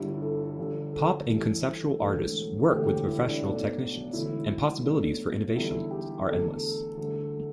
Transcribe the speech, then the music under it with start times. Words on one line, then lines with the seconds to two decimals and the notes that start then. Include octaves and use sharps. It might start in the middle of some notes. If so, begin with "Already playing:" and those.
Pop and conceptual artists work with professional technicians, and possibilities for innovation are endless.
Already playing: G1 G2 G3 E4
0.22 A4
0.58 G1 G2 D3 G3
0.93 A4
1.29 A1 A2 E3 G3
2.00 E1 D2 D3 A3
2.70 E1 D2 D3 A3 G4
2.88 G4
3.07 E4
3.25 D4
3.42 B1 B2 A3 D4
4.13 E1 D2 D3 E4
4.84 B1 B2 A3 D4
5.55 E2 D3 G3 E4
5.91 G4
6.26 E2 D3 A3 A4
6.97 D2 D3 G3